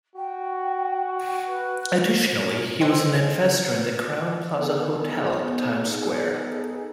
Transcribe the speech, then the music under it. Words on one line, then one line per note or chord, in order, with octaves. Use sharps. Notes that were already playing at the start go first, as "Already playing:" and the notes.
Additionally, he was an investor in the Crowne Plaza Hotel, Times Square.
F#4 G5
B4
A4 B4 C5 D#5 G5
B3 D#4 G#4 A4